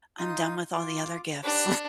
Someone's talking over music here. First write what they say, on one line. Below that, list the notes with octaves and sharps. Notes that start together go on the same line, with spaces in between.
I'm done with all the other gifts."
D#4 F4 D#6
F4 D6
D4 G4 B4